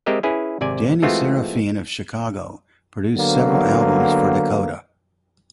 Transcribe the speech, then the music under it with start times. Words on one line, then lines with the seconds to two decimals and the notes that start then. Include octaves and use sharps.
Danny Seraphine of Chicago produced several albums for Dakota.
0.06 G#3 C4 G4 A#4 D#5 E5
0.23 C#4 E4 G#4 B4
0.61 G#1 C3 D5 G#5
1.02 E3 G#3 A3 C4 F4 F#4
3.18 D3 F#3 A#3 B3